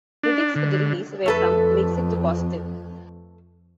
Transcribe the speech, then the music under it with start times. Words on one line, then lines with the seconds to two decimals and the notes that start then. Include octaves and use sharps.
Critics for the release were from mixed to positive.
0.23 D4
0.55 D3
1.26 F2 A3 A4 B4